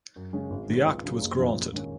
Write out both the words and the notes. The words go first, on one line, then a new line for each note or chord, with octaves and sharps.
The Act was granted.
F#2
C#3 G#3 C#4
G#1
G#2 D#3 F#3 C4
C#2
C#3 F#3 C#4
F#1
F2 C#3 F3
A#1
G#2 D#3 A#3 C#4